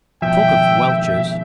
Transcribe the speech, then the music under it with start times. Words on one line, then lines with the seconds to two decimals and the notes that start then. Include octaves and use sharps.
Talk of welchers!
0.22 G#1 B2 F3 E5 G5